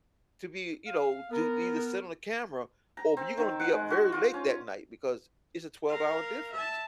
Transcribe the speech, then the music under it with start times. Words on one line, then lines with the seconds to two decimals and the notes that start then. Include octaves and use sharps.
to be, you know, to either sit on the camera, or b you're gonna be up very late that night because it's a twelve-hour difference-
0.87 F5
1.31 B3 A#4
2.97 A#5
3.17 C4
3.38 D#3
3.60 F#5
3.72 G#3
3.90 F#4
4.12 F4
4.34 C#4
5.88 A#4 F5
6.53 E5 A5